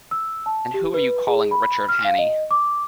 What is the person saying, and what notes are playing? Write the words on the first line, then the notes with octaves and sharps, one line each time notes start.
And who are you calling Richard Hannay?
E6
A5
G4
B4
G#4
B5
F6
F5
D#5
D6